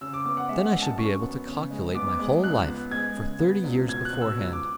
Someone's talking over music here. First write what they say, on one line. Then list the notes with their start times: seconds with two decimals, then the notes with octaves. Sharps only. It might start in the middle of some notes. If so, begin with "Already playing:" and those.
Then I should be able to calculate my whole life for thirty years beforehand.
0.01 C#3 E6
0.13 D6
0.25 B3 D6
0.37 F#5
0.49 G#3 E5
0.65 F#5
0.74 F#2
0.82 A5
0.97 F#2 C#6
1.23 B3
1.47 C#3
1.71 G#3
1.95 B3 D6
2.19 G#3
2.44 C#2 F#6
2.67 B3
2.91 G#3 G#6
3.16 C#3
3.40 B3
3.64 C#2
3.88 B2 G#6
4.05 F#6
4.13 B2
4.21 E6
4.37 C#2
4.53 D6